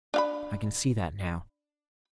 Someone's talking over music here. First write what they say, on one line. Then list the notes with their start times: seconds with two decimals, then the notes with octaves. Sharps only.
I can see that now.
0.14 D4 F5 B5